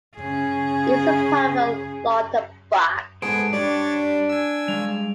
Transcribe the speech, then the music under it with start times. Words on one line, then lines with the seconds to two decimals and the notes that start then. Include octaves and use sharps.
It is a part of Lauterbach.
0.17 C#3 G#4
3.22 G#2 B3 G#4 A4 C5 D7
3.53 G3 D4 G4 C#5 D5 A6
3.95 G3
4.29 G#5 E6
4.68 G3 G#3 F5 F7